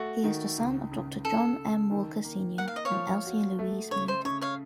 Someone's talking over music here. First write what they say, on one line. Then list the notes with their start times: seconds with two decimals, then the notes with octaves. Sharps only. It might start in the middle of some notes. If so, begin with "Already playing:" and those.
He is the son of Doctor John M. Walker Senior and Elsie Louise Mead.
Already playing: A3 F#4
0.24 D#3
0.58 C#2
0.92 C#3
1.24 C#3 A4
1.58 C#3
1.91 D#3
2.24 A#3
2.58 A#3 F#5
2.68 F5
2.76 D#5
2.85 C#5 F5
2.91 F3
3.25 F#4
3.59 A3
3.91 C#3 C#5
4.08 C5
4.25 C#3 C#5
4.41 C#5 F5